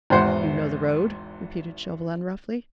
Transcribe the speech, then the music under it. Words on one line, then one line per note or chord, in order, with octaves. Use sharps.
"You know the road?" repeated Chauvelin, roughly.
G#1 E2 G#2 C5 F#5